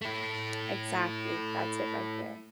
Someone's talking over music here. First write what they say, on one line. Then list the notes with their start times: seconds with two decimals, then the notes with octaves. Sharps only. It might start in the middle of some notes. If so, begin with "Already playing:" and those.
Exactly, that's it right there.
0.01 A3 E4